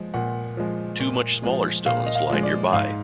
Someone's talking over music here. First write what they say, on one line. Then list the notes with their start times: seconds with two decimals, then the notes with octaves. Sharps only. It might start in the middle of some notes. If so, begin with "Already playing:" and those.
Two much smaller stones lie nearby.
Already playing: F3 G#3
0.14 A#2 F#5
0.57 F3 G#3
1.00 A#2
1.43 F3 G#3
1.86 A#2 F5
2.06 D#5
2.15 F5
2.29 F3 G#3
2.43 D5
2.73 G#2 F5